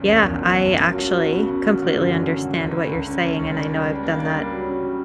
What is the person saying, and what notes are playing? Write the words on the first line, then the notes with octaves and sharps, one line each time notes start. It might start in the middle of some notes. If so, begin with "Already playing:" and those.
Yeah, I actually completely understand what you're saying, and I know I've done that
Already playing: B1 E2 C#3
F#1
E2
F3
F#1
C#3
F#3
F#3
B3
C#3
C#3
F#3
D3
F#2
D3
D3
D3
C#2
C#2
C#2
C#3
C#2
C#2
D4
G3
D4
A#3
D4
G3
F#3
C#3
C#3